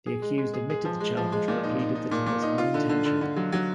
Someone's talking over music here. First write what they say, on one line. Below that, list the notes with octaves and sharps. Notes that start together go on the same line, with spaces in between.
The accused admitted the charge, but pleaded that it was unintentional.
G#4
G#3
G#3
G#4
G#4
F3
G#3
F3
G#3
A#2
D#4
D#4
D#4
A#2
A#2
D#4
F4
D3
D3
D3
D3
F#3
F#3